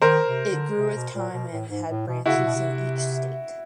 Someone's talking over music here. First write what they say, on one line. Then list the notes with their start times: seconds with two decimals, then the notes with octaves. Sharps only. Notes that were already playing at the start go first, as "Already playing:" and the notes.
It grew with time and had branches in each state.
0.02 D#3 A#4 C5
0.27 C3
0.51 D3
0.77 C3
0.95 B2
1.14 A#2
1.32 B2
1.52 A2
1.70 G#2
1.89 A2
2.07 B2
2.26 C#3 E4 F#4
2.36 C3
2.45 B2
2.55 C3